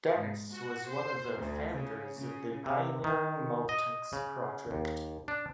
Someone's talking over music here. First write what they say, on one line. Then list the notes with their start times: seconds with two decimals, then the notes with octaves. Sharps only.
Dennis was one of the founders of the pioneering Multics project.
0.16 G#2
0.51 F#4
0.90 C5
1.36 D2
1.73 C#3
2.16 C#3
2.66 C3
3.04 D#3
3.69 D#5
4.13 C#3
4.71 D#2
5.28 D4